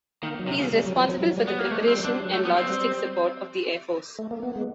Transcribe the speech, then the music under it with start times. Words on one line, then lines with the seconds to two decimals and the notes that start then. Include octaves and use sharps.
He is responsible for the preparation and logistic support of the air force.
0.23 D#3 A#3
0.39 F#3
0.47 C3
0.59 C#3
0.72 G3
0.84 F#3
0.96 F3
1.09 F#3
1.21 F#3
1.38 G3
1.47 B3
1.59 A#3
1.71 G#3 A3
1.87 G3 C4
2.00 F#3
2.04 G3 D4
2.20 F#3
2.33 A3
2.45 B3
2.57 C4
2.70 G3
4.19 A3
4.31 A#3
4.43 B3
4.56 G#3